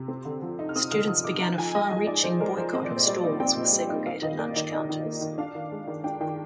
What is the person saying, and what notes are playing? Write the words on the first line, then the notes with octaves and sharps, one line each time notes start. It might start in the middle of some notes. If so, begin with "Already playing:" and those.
Students began a far-reaching boycott of stores with segregated lunch counters.
Already playing: C3
C4
D3
F3
D#4
F6
C4 D#6
D3 F6
F3 D#6
D#4 D6
D#4 A#5
F3 G#5
G#3 D#5
F3 D#5
D#4 D5
F3 C5
G#3 A#4
F3 C5
C4 D#5
D5
A#2
C5
G3 D5
D#4
C4 G5
A#2
G3
D#4
D#4 F5
D#3 D#5
A#3 D5
D#3 D#5
D#4 D#5
D#3
A#3
D#3
D4 F5
D#3
G#3
D#3
D4 G5
D#3 G5